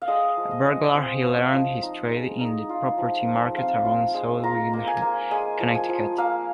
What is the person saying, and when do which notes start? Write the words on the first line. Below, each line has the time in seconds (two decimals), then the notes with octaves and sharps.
A burglar, he learned his trade in the property market around South Windham, Connecticut.
0.02 F5
0.08 G#3 D#5
0.37 F3
0.51 D#5
0.65 G#3
0.95 C4 C5
1.24 F4
1.38 F5
1.53 F3
1.83 D#4
2.10 G#3
2.41 D#4
2.69 F4
2.98 F3
3.27 F3
3.57 C4 F5
3.85 F4
4.14 G#3
4.43 F4 A#5
4.73 A#3
4.87 G#5
5.02 A#3
5.31 G#3 G#5
5.60 F3
5.75 G#5
5.89 F3
6.18 A#3 F5